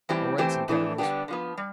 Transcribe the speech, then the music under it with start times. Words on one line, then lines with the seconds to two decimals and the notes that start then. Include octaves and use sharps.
"All right!" said Caderousse.
0.09 A2 E3 G3 C4 G4
0.38 E3 A3 C4 G4 C5
0.68 F2 E3 A3 D4
0.98 D3 G3 B3 D4 G4
1.28 D3 F3 B3
1.57 G3